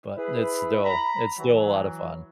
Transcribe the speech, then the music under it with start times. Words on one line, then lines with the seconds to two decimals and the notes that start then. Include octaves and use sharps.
But, it's still it's still a lot of fun.
0.16 E4 G#4 B4
0.83 A#5 B5
1.38 E3 F#3